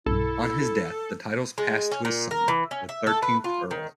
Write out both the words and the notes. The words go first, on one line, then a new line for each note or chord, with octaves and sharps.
On his death the titles passed to his son, the thirteenth Earl.
B1 G2 E4 A4
G#3
C#4
A#2
A#4
E3
C#4
E5
A4
B4
F4
D#3